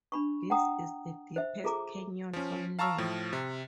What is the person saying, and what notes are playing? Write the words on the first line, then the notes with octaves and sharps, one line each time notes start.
This is the deepest canyon on land.
D4 B5 C#6
F#5 G5 A#5 D#6
C5 E5
F4 G#4 A4 A#5 D6
F3 C#4
F5 A5 A#5 C#6 E6 F6
A2 F3
C3